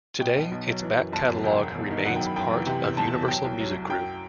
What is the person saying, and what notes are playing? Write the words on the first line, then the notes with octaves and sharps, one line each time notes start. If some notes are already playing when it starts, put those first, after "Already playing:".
Today its back catalog remains part of Universal Music Group.
B2 G5
B1
B1
F#3
E3
F#2
G1 A5
F#2
E1 G5
E1
E1
D#3
F#2 F#5
G5
F#2
B5
F#2 G5
E3
C3 G5
E2
E2 A5
E2
F#3 G5
C2
F#3
F#3
F#2 G5